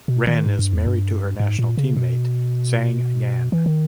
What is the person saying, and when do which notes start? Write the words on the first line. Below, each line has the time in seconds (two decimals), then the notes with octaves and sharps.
Ren is married to her national teammate Zhang Yan.
0.08 B2
0.27 D#3
0.46 G#2
0.59 G2
0.73 E2
0.86 G2
1.40 G#2
1.59 A#2
1.77 C#3
1.96 B2
3.52 E3
3.66 D#3